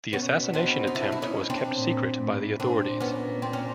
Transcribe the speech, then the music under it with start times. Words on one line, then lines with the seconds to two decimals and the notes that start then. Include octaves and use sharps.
The assassination attempt was kept secret by the authorities.
0.13 B2 B3 C#4
0.54 C4 D4
0.87 D#4
0.95 D4 E4
1.12 E4
1.22 C#4 D#4
1.50 C4 D4
1.77 A#2
2.19 A2
2.60 A#2 C4 D4
3.00 B3 C#4
3.42 C4
3.53 C#4